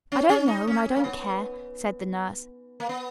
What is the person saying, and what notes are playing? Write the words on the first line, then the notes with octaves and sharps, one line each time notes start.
"I don't know and I don't care," said the nurse.
C#4
C#4
D#4
C#4
A#3
B3
A#3
B3